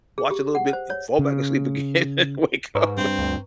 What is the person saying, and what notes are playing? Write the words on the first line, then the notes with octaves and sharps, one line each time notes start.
watch a little bit, and fall back asleep again and wake up.
G#4
G4
F#5
C5
C#5
C#3
G#2 B4 A#5 C#6
G2 C4
D2